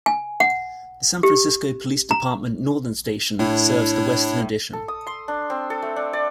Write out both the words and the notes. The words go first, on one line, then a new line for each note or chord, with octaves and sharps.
The San Francisco Police Department Northern Station serves the Western Addition.
G#5
F#5
G4
A#5
A2 D4 E4 C#5
A4
D#6
C6
D4
C4
A4
A3
D4
D5